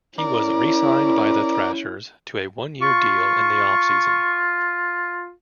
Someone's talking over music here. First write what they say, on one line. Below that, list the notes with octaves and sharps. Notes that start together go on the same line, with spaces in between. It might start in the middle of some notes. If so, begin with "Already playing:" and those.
He was re-signed by the Thrashers to a one-year deal in the off-season.
C#4 E4 A#4 D5
F4 C#6